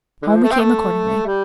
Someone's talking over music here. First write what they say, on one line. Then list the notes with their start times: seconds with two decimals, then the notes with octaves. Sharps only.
Home we came accordingly.
0.22 D3
0.27 E3
0.35 F3
0.43 A3
0.52 C4
0.60 A3
1.26 G3